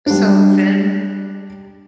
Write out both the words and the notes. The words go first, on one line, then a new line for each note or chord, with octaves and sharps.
So then,
G3 D4